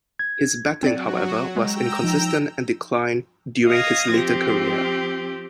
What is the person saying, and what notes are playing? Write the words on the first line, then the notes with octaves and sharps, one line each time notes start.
His batting however was inconsistent and declined during his later career.
G#6
F#3 C4 F#4 D5
G#3 G5 A#5 E6
F3 D#4
D#5 F5 D#6 G#6 A#6
F3 C4 G4